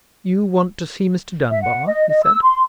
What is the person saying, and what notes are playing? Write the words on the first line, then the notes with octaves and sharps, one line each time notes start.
"You want to see Mr. Dunbar?" he said.
E5
F#5
D#5
D#5
E6
C6